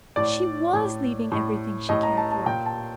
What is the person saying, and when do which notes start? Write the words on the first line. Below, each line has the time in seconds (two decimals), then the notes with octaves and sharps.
She WAS leaving everything she cared for.
0.16 A2 D5
0.73 A2
1.32 A2
1.89 A2 D#5
2.03 A#5
2.17 A5
2.31 A5
2.46 A#2 G5
2.66 A5